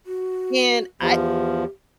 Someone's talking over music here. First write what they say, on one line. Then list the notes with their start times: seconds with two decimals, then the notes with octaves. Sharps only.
and I
0.06 F#4
1.01 E2 F3 G4